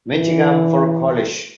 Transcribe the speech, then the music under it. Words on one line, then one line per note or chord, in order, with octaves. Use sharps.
Michigan for college.
E3